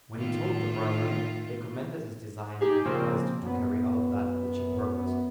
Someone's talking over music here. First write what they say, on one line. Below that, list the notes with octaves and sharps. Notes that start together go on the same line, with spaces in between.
When he told the brethren, they commended his design, and advised him to carry out that which he purposed.
A2 D#3 F4
D#4 G4 G#4
A#2 C#3 F3 A#3 C4
F#2 B3